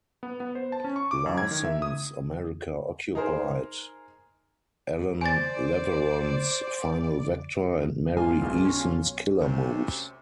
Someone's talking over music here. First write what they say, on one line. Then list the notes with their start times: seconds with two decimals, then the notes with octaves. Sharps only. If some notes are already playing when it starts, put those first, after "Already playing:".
Larson's "America Occupied", Allan Leverone's "Final Vector", and Mary Eason's "Killer Moves".
0.23 B3
0.40 B3
0.55 C5
0.72 A5
0.84 C#4
0.96 C#6
1.11 D6
1.26 F#2
1.37 G#6
1.51 D#3
1.65 E5
1.82 D#6
3.15 D#4 G#4 A#4 C5
5.21 C5 D5 G#5 A6
8.17 D3 F4 G#5
8.42 B1 A#2 G#3
8.65 C#4
9.41 D2 C3